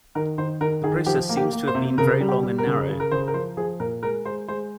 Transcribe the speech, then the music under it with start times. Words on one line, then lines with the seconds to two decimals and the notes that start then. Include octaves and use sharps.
The process seems to have been very long and narrow.
0.15 D#3 A#4
0.38 D#3 C5
0.61 D#3 A#4
0.84 D#3 G#4
1.06 F3 G4
1.29 A#3
1.37 G4
1.52 A#3
1.68 C5
1.75 C3
1.98 C#3 A#4
2.20 G3
2.29 G4
2.43 G3
2.58 A#4
2.66 C#3
2.89 C#3
3.00 A#4
3.12 C#3 C5
3.28 A#4
3.34 F3 C5
3.57 F3 G#4
3.80 A#2 A#4
4.03 G#3 A#4
4.25 G#3 C5
4.48 G#3 C5